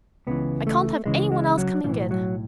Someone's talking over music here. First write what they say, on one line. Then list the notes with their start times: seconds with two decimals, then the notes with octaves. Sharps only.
I can't have any one else coming in.
0.27 C#2 C#3 E3 B3
0.67 A3
1.06 C#2 C#3 E3 G#3
1.32 G#3
1.58 F#3
1.84 B1 A2 E3 F3
2.11 F#3